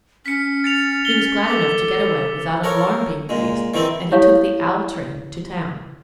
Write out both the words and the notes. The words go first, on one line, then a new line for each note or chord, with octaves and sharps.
He was glad enough to get away without an alarm being raised, and he took the "owl" train to town.
C#4 B6 C#7
A6 C#7 F7
G7
A4 D6
A4 A#4 C#5
A#2 G#3
D#3 E3 C4 E4
E4 G4 A4 C#5 F5